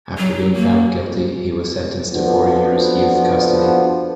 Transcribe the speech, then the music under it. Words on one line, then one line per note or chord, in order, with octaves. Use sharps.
After being found guilty, he was sentenced to four years' youth custody.
F#3
A#3
F3 B3 D4 F4 F#4 A4